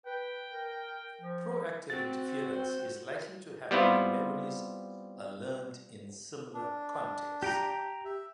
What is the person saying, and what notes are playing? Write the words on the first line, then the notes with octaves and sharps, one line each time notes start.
Proactive interference is likely to happen when memories are learned in similar contexts.
B4 G5
A#4
F3
C4 F#4 C5 A6
G3 B3 C4 E4 F4
D4
G4 G5 A#5
E5